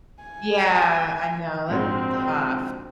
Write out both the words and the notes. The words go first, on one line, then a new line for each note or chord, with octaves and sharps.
Yeah, I know, that's tough.
G#5
A#1 G#2 C4 F#4